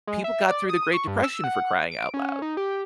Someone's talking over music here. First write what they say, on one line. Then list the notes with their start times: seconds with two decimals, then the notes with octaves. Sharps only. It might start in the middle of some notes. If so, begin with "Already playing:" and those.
people got through the great depression for crying out loud.
0.07 G#3
0.24 E5
0.49 D5
0.69 D#6
0.94 C#6
1.07 G2
1.23 E6
1.44 F#5
1.92 D7
2.14 C#4
2.42 D#4
2.57 G4